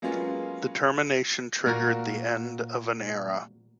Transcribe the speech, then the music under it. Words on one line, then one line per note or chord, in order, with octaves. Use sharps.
The termination triggered the end of the era.
F#3 G#3 A#3 B3 C#4 F4
A#2 A#3 F#4 A#4